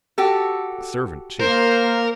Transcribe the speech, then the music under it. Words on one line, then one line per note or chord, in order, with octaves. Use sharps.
A servant too.
F#4 G4 A4
A#3 A#4 C5